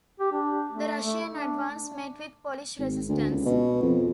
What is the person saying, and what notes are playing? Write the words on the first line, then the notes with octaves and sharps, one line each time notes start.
The Russian advance met with Polish resistance.
G4
D4
A3
A3
D4
G#1
D2
C#2
B2
F2